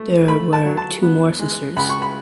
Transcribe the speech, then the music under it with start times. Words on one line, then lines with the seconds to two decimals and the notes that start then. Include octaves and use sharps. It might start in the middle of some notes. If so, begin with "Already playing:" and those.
There were two more sisters.
Already playing: A3
0.28 A3 B5
0.53 A5
0.65 F#3
0.77 A5
1.02 B3
1.39 G#3
1.76 C#2 B5
1.89 C#6
2.02 B5